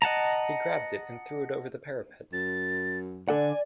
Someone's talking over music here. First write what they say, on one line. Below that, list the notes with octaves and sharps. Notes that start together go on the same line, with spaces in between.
He grabbed it and threw it over the parapet.
D#5 F#5 A5 A#5
F#2 A6
D3 A4 D5 F#5 G#5